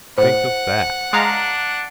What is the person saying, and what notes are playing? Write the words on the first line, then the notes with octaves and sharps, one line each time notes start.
Think of that!
A2 C5 F#5
G#3 D4 F5 A#5